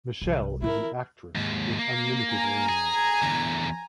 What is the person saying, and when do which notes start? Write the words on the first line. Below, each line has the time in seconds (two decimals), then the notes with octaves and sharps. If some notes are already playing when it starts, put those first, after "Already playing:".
Michelle is an actress with unlimited range.
0.22 C2 F3
0.62 E3 C4 E4 A#4
1.35 D#2 G#2
1.78 A#3
2.30 G#5 A#5
2.69 G#4
3.22 E2 D3